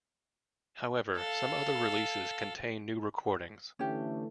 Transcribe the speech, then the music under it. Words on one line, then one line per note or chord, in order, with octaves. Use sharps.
However, some other releases contain new recordings.
A4 F5
D3 E3 A3 C#4 G4